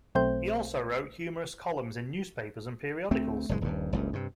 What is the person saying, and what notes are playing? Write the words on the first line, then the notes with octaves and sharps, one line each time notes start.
He also wrote humorous columns in newspapers and periodicals.
B1 A3 C4 C5 G6
D2 A3 C4
F#1 A2 C#3 G#3
D#1 G2
F#1 C#2 G2
G2 C3